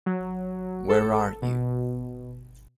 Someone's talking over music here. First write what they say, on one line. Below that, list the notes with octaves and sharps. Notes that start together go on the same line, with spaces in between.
Where are you?
F#3
A4
B2